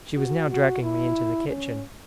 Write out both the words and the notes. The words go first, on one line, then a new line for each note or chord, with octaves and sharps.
She was now dragging me into the kitchen.
F#4
F#4
E4
C#4